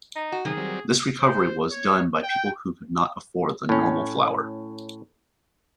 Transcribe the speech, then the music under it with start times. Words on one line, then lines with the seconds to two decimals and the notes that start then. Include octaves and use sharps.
This recovery was done by people who could not afford the "normal" flour.
0.15 D#4
0.32 F#4
0.45 C3 D#3 F#3 G#4
0.57 F#3 G3 C4
1.21 C5
1.71 C#5
2.23 G5
3.69 A2 C#4